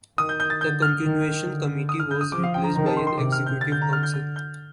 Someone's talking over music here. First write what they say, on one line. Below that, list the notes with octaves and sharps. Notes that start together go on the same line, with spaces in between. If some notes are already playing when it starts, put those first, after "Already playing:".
The "Continuation Committee" was replaced by an "Executive Council".
D#3 D#6
G6
G6
A6
D3 G6
F6
D#3
D3
D#6
F6
G6
D#6
F3 D6
F5
G5
A#5
D#3 A#5
A5
C6
C6
C3 D6
F6
G6
D3 A6
G6
A#5
F6
G6
G6
G6